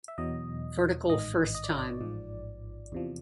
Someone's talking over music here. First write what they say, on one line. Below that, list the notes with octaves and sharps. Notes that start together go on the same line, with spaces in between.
Vertical first time.
E5
E2 B2 F#3 D#5
A1 G#2 D#3 D#5
D#5
D5
C#5
D5
A1 G#2 F3
E2 C3 F3